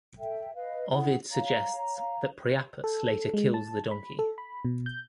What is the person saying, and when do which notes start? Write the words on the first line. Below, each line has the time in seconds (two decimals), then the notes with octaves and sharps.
Ovid suggests that Priapus later kills the donkey.
0.17 A4 E5 G5
0.55 B4 D#5 F5
0.92 E4 G#4 A4 F#5
1.31 C#5 F5 A#5
2.84 A4
3.34 G#3
3.54 A5
3.91 B5
4.19 A4
4.38 B5
4.65 B2
4.86 G6